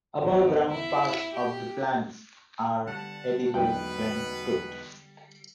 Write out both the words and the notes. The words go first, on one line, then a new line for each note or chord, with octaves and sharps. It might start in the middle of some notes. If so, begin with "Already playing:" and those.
The above-ground parts of the plant are edible when cooked.
E2 G#2
E4
G4
D3 G3 F#5 A5
E1 B1 B2 B4 G5